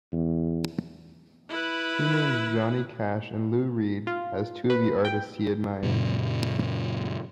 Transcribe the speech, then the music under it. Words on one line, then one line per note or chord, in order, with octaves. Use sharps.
He names Johnny Cash and Lou Reed as two of the artists he admires.
E2
E4 B4
F4
B4
G5
F#2 A#2 C#3